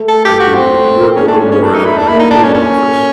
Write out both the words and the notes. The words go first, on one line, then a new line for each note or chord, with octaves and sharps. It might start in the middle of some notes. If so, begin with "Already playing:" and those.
I can work a little more out of my home office
Already playing: A3
A4
G4
F#4
C4
A3
A#3
A3 C#4
D4
C#4
C#4
D4
D#4
E4
D4
A#3 E4
D#4
D4
C#4
C#4